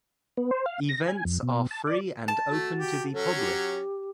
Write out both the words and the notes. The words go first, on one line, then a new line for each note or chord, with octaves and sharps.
Events are free and open to the public.
B3
C5
F5
A#6
G#5
F2
B2
A5
D5
A5
A3 F#4
G4
F#3 C#4 A4
G4